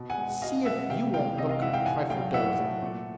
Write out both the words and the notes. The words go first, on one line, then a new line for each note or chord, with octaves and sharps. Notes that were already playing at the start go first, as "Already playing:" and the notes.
See if you won't look a trifle dozy.
Already playing: B2
F#5 G#5
G#3
B2 D#5 F5
G#3 E5 F#5
C3 F5 G5
E3 G#3 F5 G5
C3 D#5 F5
D#5 F5
E3 G#3 E5 F#5
F5 G5
A2 F#5 G#5
F#3 A3 F5 G5
A2 E5 F#5
F#3 A3
A#2